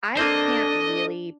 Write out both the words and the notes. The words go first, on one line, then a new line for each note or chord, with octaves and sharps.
I can't really
A#3 C4 D4 A4 C5 D#5